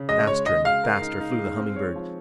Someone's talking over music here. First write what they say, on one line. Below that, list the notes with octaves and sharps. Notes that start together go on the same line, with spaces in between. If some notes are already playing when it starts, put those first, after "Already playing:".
Faster and faster flew the Humming-Bird.
Already playing: C#3
G#3 D#5
G#3 C#5
G#3 D#5
G#3 F5
A#4
D#4
D#4
G#3
C4
C#5
F3